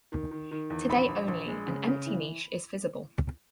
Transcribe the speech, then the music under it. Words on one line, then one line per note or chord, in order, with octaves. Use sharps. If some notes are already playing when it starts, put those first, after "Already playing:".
Today only an empty niche is visible.
D#3
D#3
D#3
E2
A#1 B5
A#1
A#1
G#3
C#3
C#3
E3